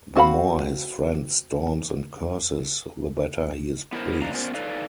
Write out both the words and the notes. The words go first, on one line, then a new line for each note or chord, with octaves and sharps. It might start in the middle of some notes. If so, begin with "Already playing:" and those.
The more his friend storms and curses, the better he is pleased.
C4 F#4 F5 F#5 B5
B3 E4 F#4 A#4 C5
G#2 D4 F5 A#5
B3 C#4 D4 F4 A#4 C5
D#4 A4 B4 D5 F5